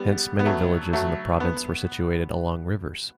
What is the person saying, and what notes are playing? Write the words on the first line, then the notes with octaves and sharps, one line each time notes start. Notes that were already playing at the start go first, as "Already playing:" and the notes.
Hence many villages in the province were situated along rivers.
Already playing: G3 B3
B3
F#3 A3
F#3 A3
B3